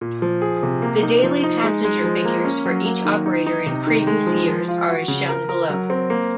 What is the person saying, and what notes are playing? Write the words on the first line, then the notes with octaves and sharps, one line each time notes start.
The daily passenger figures for each operator in previous years are as shown below.
A#2
F3
G#4
C3
A#3
D#4
F3
D#4
G#3
G#3
F3
A#3
C#4
F#3
A#3
D#3
D#4
D#4
C3
D#3
G#3
F3
F3
F4
F#4
C#3
A#4
A#4
F#3
C4
A#3